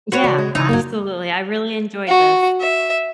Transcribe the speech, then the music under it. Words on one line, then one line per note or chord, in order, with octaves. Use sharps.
Yeah. Absolutely. I really enjoyed this.
F#4 B4 C#5
C#3 D5
G#3
C#3 E3 D#4
F#1 F#3 G#3 A#3
F#4
E5